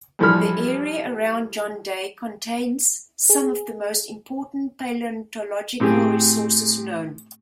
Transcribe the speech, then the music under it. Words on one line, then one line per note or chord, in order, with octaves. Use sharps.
The area around John Day contains some of the most important paleontological resources known.
G2 E3 F3 A4 B5 F6
G#4
A2 C4 G4 G#4